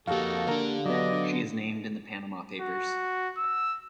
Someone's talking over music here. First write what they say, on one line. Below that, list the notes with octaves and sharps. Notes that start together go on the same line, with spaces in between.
She is named in the Panama Papers.
F2 A#3 D#4 F#4 G4 A4 F5
D3 A#3 D4 A#4
F#3 B3 D5 D#5
F#4
E6